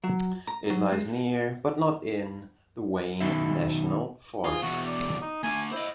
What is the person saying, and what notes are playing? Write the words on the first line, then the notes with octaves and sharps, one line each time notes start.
It lies near, but not in, the Wayne National Forest.
F#3
A#5
F#3
G#3
F#2 B2 D#3 B3 D#4 E5
F4 G#4
E2 B2 F#4
D5
D#4
A3 D4 G#5
E4 C5 D#5